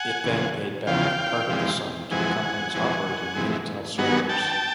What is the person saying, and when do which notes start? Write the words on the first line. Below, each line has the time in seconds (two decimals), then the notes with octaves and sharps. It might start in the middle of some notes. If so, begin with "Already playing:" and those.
It then paid back part of the sum to the companies operating Minitel servers.
Already playing: F#5 G#5
0.24 E2 C#3 F3
0.87 E2 C#3 F3 F5 G5
1.49 F2 C3 E3 G#3
2.11 F2 C3 E3 G#3 F#5 G#5
2.74 F2 C3 E3 G#3
3.35 F2 C3 E3 G#3
3.98 G2 D#3 F#3 B3 F#5 G#5
4.29 G5 A5